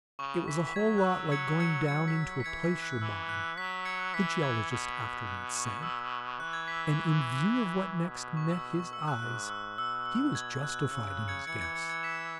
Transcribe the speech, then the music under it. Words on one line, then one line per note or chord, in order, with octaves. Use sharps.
"It was a whole lot like going down into a placer mine," the geologist afterward said; and in view of what next met his eyes, he was justified in his guess.
C#3 C#6
E3 B6
B6
F#3 G#6
F#6
E6
G#6 C#7
G#6 C#7
F#3 G#6 C#7
B6
B6
E3 G#6 C#7
B6
F#6
E3 E6
F#6
F#3 B6
G#6 C#7
E3 B6
G#6
B2
F#6
C#6
E6
E3 F#6
G#6
B6
B2
C#6
E6
C#6
E6
F#6
G#2 F#6
E6
B2 E6
E6
G#6
F#6
C#3 E6
F#6
G#6 C#7
E3 G#6 C#7
G#6 C#7
G#6 C#7
G#6 C#7
B6 E7